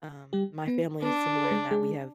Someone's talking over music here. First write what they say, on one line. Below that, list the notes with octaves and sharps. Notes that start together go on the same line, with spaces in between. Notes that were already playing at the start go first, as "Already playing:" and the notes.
Um, my family is similar in that we have
G3 G4
B3 B4
B3 D4 B4
G#4
B4
G#3 G#4
G#3 G#4